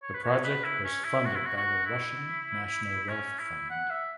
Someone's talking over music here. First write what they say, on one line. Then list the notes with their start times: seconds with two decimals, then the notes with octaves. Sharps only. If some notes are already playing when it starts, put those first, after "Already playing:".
The project was funded by the Russian National Wealth Fund.
0.03 C#5
0.14 B4
0.24 C#5
0.44 B4
0.64 E4
0.84 C#4
1.05 E4
1.26 F#4
1.36 E4
1.46 F#4
1.56 F#4
1.86 E4
3.09 C#4
3.39 E4
3.70 F#5
3.91 E5